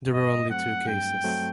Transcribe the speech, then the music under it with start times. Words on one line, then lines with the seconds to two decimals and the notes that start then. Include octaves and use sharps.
There were only two cases.
0.13 G2 D#5
0.50 F#3 A3 C4 F#5
0.87 G2 G5
1.24 F#3 A3 C4